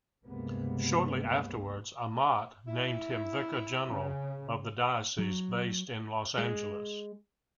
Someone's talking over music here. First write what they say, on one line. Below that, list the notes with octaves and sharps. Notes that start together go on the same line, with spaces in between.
Shortly afterwards, Amat named him Vicar General of the diocese, based in Los Angeles.
C#2 G2 C3 G#3 A#3 B3
E4
C#3
F#3
G#3